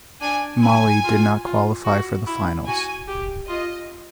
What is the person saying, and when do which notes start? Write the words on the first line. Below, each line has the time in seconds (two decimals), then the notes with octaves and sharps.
Mali did not qualify for the finals.
0.21 D4 G#5
0.62 E4 G#5
1.04 F4
1.44 F4
1.85 F#4
2.26 E4
2.67 F#4 G#5
3.08 G4
3.48 F4 D#5